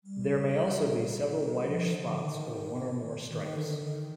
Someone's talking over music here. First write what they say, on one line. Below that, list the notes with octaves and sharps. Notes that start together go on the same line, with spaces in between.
There may also be several whitish spots or one or more stripes.
G3
F3
D3
D#3
D#3
D3
D#3